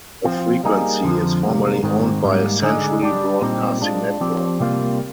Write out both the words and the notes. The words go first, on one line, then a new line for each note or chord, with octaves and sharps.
The frequency is formerly owned by Century Broadcasting Network.
F3 C4 F4
G3 A#3 D#4 G#4
F2 D3 F3
C3 G3 A#3
G#2 D#3 G#3 C4
G#2 G3 A#3
D3 G#3 D#4 G#4
G3 D4 G4
A#2 G3 C4 D#4 G4
G#3 D4 F4
F3 C4 G4 D5
C3 G3 A#3 F4